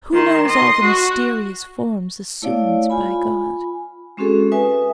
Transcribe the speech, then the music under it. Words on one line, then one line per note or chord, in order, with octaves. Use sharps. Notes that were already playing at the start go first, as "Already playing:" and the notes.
Who knows all the mysterious forms assumed by God?
D#3 C6
D#5 C6
F#4
A3 E4 C#5 D5 F5
F4 G#5 B5
G#3 C4 C#4 F#4 G#4 A4
B4 E5 G#5 D#6